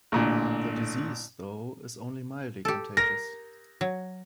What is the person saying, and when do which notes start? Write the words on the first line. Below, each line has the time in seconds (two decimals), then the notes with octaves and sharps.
The disease, though, is only mildly contagious.
0.12 A1 A#2 D3
2.65 G4 A4
2.97 A#4 A#6
3.81 F#3